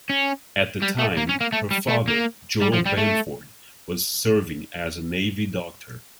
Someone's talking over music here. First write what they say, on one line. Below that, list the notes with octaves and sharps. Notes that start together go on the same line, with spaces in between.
At the time, her father, Joel Bamford, was serving as a Navy doctor.
C#4
G3
A3
A#3
C#4
A#3
A3
G3
A3
A#3
G3
F3
G3
A3